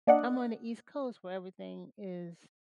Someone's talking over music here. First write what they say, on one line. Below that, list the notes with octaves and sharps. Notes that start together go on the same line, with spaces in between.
I'm on the East Coast where everything is
A#3 D4 D5 D#5 F#5